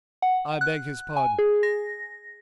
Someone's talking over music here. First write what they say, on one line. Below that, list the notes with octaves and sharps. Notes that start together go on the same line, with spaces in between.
I beg his pardon.
F#5
F#6
G#5
G#4
A#6